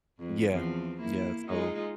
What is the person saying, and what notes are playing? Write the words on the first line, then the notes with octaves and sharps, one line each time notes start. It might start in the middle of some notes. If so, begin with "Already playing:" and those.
Yeah, yeah, so
F2
E2 F3 C4
A#3 E4
G#3 D#4 F4